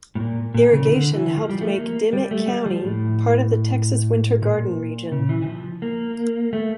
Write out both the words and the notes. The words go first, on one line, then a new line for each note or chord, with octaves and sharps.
Irrigation helped make Dimmit County part of the Texas Winter Garden Region.
A2
A#2
A#2
C#3
E3
D3
E3
F3
G3
A3
A#3
G3
A3
G3
F3
A2
A#2
C#3
E3
E3
F3
A#3
A3